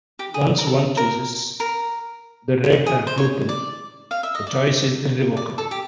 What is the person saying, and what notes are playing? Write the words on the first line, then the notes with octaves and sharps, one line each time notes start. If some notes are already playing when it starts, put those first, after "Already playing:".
Once one chooses the red or blue pill, the choice is irrevocable.
G4
G#4
A#4
A4
A#4
A#4
G#4
C5
C#5
D5
F5
E5
D#5
D5 E5
D5
A4
G4